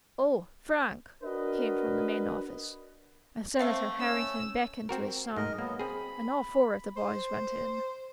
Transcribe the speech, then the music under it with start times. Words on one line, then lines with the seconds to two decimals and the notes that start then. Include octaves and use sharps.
"Oh, Frank!" came from the main office, and Senator Harrington beckoned to his son; and all four of the boys went in.
1.24 D4 F#4 A#4 B4 D#5
3.59 A3 C4 F5 F#5
4.00 C#4 E6
4.89 C4 F#4 A#4
5.36 G#2 A#4 D#5
5.58 F#3 A#3 B3
5.79 C4 G#4 B5
6.97 C5